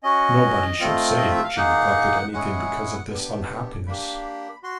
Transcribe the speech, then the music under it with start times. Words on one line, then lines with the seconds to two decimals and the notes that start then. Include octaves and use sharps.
Nobody should say that she neglected anything because of this unhappiness.
0.03 C#4 F#4 D#5
0.80 A3 C4 F4
1.17 D#5
1.31 E5
1.44 F5
1.56 A#3 D#4 G#4 F#5
2.33 G#3 C#4 E4 G#4 F#5
3.10 B3 D4 G4
3.87 A#3 D4 G4 B5
4.63 F#4 C6